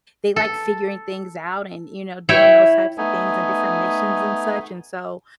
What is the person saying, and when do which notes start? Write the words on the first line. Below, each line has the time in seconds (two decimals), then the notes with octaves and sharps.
they like figuring things out and, you know, doing those types things and different missions and such, and so,
0.36 A4
2.29 E4 C#5 E5 G5
2.98 A3 B3 D#4 G#5